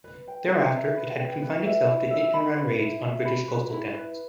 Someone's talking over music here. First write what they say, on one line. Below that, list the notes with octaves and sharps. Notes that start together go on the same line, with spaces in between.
Thereafter it had confined itself to hit-and-run raids on British coastal towns.
B4
G5
B4
E5
B4
G5
B4
E5
E4
E5
B5
B4
E4
E5
B5
B4
E4
B4